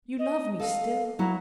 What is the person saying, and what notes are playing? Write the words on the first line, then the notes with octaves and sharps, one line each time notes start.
You love me still.
D#5
A4 D#5 F5
F#3 E4 F#4 A#5